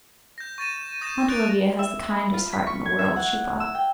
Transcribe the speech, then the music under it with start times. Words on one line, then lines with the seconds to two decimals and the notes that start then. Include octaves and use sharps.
Aunt Olivia has the kindest heart in the world, she thought.
0.38 G6 A#6
0.58 C#6 A6 D#7 E7
0.77 E7
1.01 D#6 G6 A#6 D#7 E7
1.29 F#6 G6 A6 D7 F7
1.79 E5
2.10 B5
2.34 F4
2.53 B6
2.67 C#6
2.86 G#6
2.99 E5
3.16 F#5
3.60 E6
3.75 G5